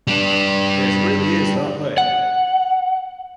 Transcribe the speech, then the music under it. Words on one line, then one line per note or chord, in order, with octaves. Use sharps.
It really is that lame.
G3 D4
F#5